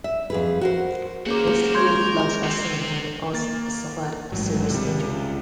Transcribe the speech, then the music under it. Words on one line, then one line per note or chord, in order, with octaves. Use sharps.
Most yellow flags are seen when a horse has suffered a serious injury.
E5
F2 G#4 B4
F#4 A#4 C5
A#3 C#4 F#4 G#4 A#4 C5 D6
G#3 A#4 C#5 C6 G6 G#6
C3 C4
A#3 A6
A1 G#2 F#3
C#2 C3 G3